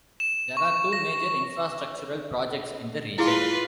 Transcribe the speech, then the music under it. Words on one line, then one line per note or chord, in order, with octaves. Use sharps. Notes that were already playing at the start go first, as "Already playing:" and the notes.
There are two major infrastructural projects in the region.
E7
C#6
A#6
E4 F4 G#4 B4